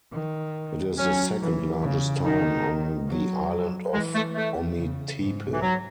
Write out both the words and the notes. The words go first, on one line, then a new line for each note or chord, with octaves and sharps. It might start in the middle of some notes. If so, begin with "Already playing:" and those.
It is the second largest town on the island of Ometepe.
D#3
F#3 C#4
E3
C#3
D#3 D#4
F#3
E3 G#3
A3
A3
C#3
G#2
E3
F#3